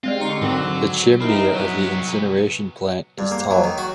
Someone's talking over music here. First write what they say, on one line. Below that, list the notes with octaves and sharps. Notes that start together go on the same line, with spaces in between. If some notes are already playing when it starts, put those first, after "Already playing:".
The chimney of the incineration plant is tall.
G3 G#3 C4 F4
D3 D#4 C6 C#6
G#2 D#3 F#3 C4
C4 D#4 E4 A#4
C2 F#3 B3
G2
A#3
F#3
D#3
F#4